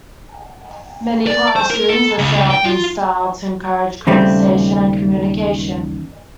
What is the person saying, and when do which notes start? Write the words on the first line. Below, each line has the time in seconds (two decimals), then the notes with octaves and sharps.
Many classrooms are set up in a style to encourage conversation and communication.
1.27 D5
1.56 C5
1.70 A#4
1.90 A4
2.19 C#2
2.50 G5
2.65 F4
4.07 D#2 C#3 G3 A3 C4